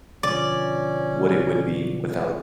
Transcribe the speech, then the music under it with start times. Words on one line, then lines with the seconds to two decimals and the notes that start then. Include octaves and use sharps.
what it would be, without,
0.23 B2 D3 F3 C#4 D5